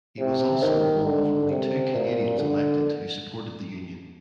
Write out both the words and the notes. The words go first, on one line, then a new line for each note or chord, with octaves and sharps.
He was also one of only two Canadiens elected who supported the union.
C3
D#3
D3
C3
A#2
D3